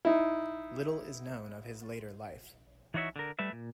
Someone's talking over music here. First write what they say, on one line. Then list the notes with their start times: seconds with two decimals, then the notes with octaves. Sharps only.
Little is known of his later life.
0.05 D#4 E4
2.94 E3 D#4 F#4 C#5 E5
3.16 D3 A#4
3.39 G3 A3 B4 E5
3.52 A#2